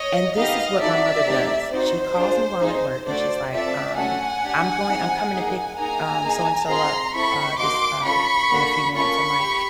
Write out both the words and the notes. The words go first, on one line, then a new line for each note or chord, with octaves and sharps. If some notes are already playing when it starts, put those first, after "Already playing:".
And this is what my mother does, she calls me while at work, she's like, um, "I'm going I'm coming to pick, um, so-and-so up, uh, this, uh, in a few minutes." I'm like,
Already playing: C#5 D#5
B3 D#4 G4 D#5 F5
C4 D#4 F#4 A4 D5 E5
A3 C4 D#4 G4
C4 D#4 F#4 C5
D4 F4 G#4
C4 D#4 G#4
A3 D4 F#4 A4 C5 D5
C4 F4 A4 D5 E5
A3 C#4 F#4 A4 F#5 G#5
D4 G4
C4 D#4 G#4
A#3 D#4 G#4
A#3 D#4 G#4 G#5 A#5
A#3 D#4 G#4
C4 F4 G#4 A#5 C6
C4 E4 A4 B5 C#6
A#3 D#4 F#4 C6 D6
C#4 F4 A4 B5 C#6
A#3 D4 F#4 A4
A#3 C#4 F4 A4 B5 C#6
G4